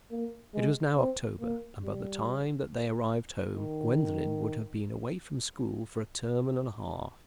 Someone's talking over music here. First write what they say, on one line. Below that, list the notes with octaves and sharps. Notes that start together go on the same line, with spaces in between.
It was now October, and by the time that they arrived home Gwendolen would have been away from school for a term and a half.
A#3
G#3
C4
A#3
G3
D#3